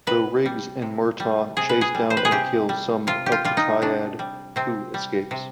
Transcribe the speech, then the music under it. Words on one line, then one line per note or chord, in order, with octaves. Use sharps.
Though Riggs and Murtaugh chase down and kill some of the Triad, Ku escapes.
C3 B4
G3
C3
G3
C3 G#4
B4
G#4
G3
C5
B4
G#4
C3 G4
G3
C3 F4
G4
F4
G3 F4
D#4
C3 D4
G3
C3 C4
G3
C3